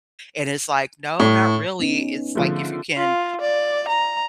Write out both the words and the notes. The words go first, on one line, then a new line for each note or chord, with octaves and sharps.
and it's like, "No, not really," it's like, if you can
A2
B3 C#4 D#4
D3 F3 A3 G#4
F4
D5
A#5